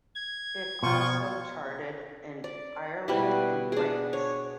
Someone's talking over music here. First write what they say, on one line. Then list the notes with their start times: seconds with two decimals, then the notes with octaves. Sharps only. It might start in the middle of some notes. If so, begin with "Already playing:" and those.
It also charted in Ireland and France.
0.15 G#6
0.83 B2 F3 F4 C#6
2.44 D5
3.08 B2 G3 E4
3.72 D4 G#4
4.13 C#5